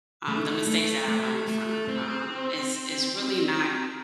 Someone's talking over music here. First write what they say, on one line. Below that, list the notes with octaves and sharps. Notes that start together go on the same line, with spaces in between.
um, the mistakes that I learned from, um, is is really not
A3
A3
A3
A3
C4